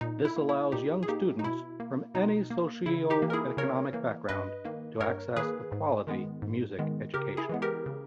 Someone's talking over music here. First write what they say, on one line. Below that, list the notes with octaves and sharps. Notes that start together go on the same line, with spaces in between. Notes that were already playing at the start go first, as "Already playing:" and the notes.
This allows young students from any socio-economic background to access a quality music education.
A#2 D#4
E4
A#3
E4
A#2 D#4 G4
G#4
A#3 D#4 G4
D#4
B2 E4
A#3
B2 D#4
A#3
C#3 E4
D#4 G4
E3 A#3
A#4
E4 G#4
C#3 A#4 C#5
E3 A#3
G2 B4 D#5
D#3 A#3
G2 A#4 C#5
D#3 A#3 G#4 B4
G#2
D#3 G#3 B3
G#2
D#3 G#3 B3
C#3 G4 A#4
E4 G#4
E3 G#3 B3
G4 A#4
C#3